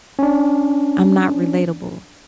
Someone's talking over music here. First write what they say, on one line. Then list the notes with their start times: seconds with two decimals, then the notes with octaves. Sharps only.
I'm not relatable.
0.19 C#4 D4